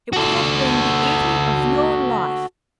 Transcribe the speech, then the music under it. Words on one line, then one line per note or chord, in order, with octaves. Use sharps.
It would have been the evening of your life.
F#4 A4